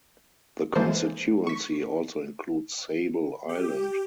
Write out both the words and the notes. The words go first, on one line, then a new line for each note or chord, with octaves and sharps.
The constituency also includes Sable Island.
E3 G#3 A#3 A4 C5
C#6 B6
G4